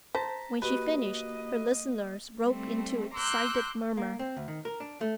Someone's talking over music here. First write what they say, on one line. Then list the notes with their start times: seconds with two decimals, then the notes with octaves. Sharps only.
When she finished, her listeners broke into excited murmur.
0.15 C5 A5 A#5 A#6 B6
0.62 A#3 F#4 G4 B4 D#5
2.45 G3 A3 C4
3.14 A#5 C6 D6 E6 F#6 G6
3.97 A#3
4.19 C4
4.37 D2
4.48 D#3
4.65 A#4
4.80 D4
5.01 A3